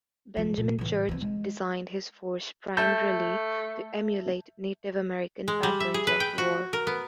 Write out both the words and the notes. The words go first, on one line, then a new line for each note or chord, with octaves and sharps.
Benjamin Church designed his force primarily to emulate Native American patterns of war.
G#2 F3
A#2
A2 E3
E3 C4
G#3
A3 E5 A5 G6
G#3
G3
E5
G#4
B4
G5
F#4
A#4
B3